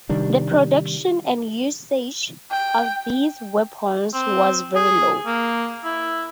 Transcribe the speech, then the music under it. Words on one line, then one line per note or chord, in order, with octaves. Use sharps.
The production and usage of these weapons was very low.
C3 D#3 G3 D4
G5
C4
G#4
A#3
E4